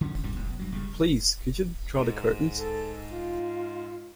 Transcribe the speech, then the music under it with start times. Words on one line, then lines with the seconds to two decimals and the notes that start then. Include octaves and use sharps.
Please could you draw the curtains?
0.01 D3 C#4
0.23 C#2 G#2 G3
0.36 A1 E2 G#2
0.48 B1
0.59 G2 F#3
0.72 G2 C#3 G3
1.98 G#2
2.58 A4
3.10 F4